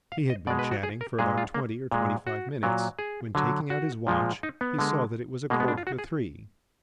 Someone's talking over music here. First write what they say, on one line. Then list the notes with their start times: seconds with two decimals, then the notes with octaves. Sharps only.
He had been chatting for about twenty or twenty-five minutes, when, taking out his watch, he saw that it was a quarter to three.
0.12 F5
0.30 D#5
0.47 B2 D5
0.50 G#3
0.59 B4
0.71 F#4
0.83 G#4
1.01 A#4
1.19 A#2 G#3 G#4
1.38 F4
1.54 A#3
1.91 A#2 G#3
2.27 F#4
2.63 A#2 F#3
2.99 G#4
3.35 D3 F#3
3.70 F#4
4.07 A#2 F3 G#3
4.43 D#4
4.61 B3
4.79 D3 G#3
5.50 B2 G#3 A#3
5.60 B3
5.68 D4
5.78 F4
5.87 F#4
5.99 G#4